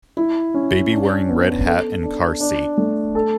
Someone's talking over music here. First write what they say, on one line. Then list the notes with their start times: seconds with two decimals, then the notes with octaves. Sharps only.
Baby wearing red hat in car seat.
0.17 E4
0.54 C#4
0.92 D4
1.29 B3
1.66 A4
2.03 D4
2.40 D4
2.78 A3
3.15 A4